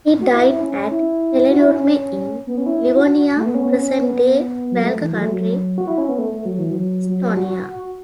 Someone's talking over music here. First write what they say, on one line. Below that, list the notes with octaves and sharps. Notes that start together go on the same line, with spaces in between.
He died at Hellenurme in Livonia, present-day Valga County, Estonia.
F#4
E4
E4
C#4
E4
F#4
E4
C#4
B3
C#4
E4
F#4
F#4
A3
B3
C#4
B3
C#4
C#4
B3
F#3
A3
E3
F#3
A3
F#3
F#4
E4
C#4
B3
A3
A3
F#3
E3
F#3
F#3
F#4
F#4